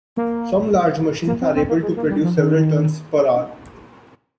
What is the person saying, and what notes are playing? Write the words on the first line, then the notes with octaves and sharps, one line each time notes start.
Some large machines are able to produce several tons per hour.
A#3
A#3
C4
C4
A#3
G#3
A#3
G3
F3
D#3